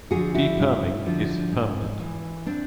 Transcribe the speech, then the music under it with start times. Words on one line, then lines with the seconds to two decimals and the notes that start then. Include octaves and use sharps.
Deperming is "permanent".
0.11 D3 F3 F#4 G#4
0.34 E4 F#4
0.58 G2
1.06 D3 F3
1.52 G#2
2.00 E3
2.46 C4 D4